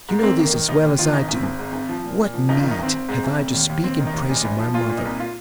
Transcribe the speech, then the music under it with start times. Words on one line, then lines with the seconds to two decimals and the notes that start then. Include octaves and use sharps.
You know this as well as I do; what need have I to speak in praise of my mother?
0.09 G#2
0.19 A#3
0.23 F1 C4
0.38 D#3 A#3
0.53 D#3
0.69 D#2 D#4
0.83 D#2
0.98 D#3 F4
1.13 G#1 D#4
1.29 G#1
1.36 C4
1.43 G#1
1.59 G#2
1.73 G#1
1.89 F3
2.04 A#2
2.19 A#2
2.34 F3
2.49 G#1 D#4
2.60 F4
2.64 D#3
2.71 D#4
2.79 G#1 C4
2.94 G#1
3.09 G#2
3.24 G#1
3.39 F1
3.54 D#2
3.69 D#2
3.84 D#2 C4
4.00 D#3
4.07 D#4
4.14 D#2
4.29 A#1
4.45 A#1
4.59 F3
4.74 A#2 F4
4.89 A#2
4.97 D#4
5.05 C2
5.20 F4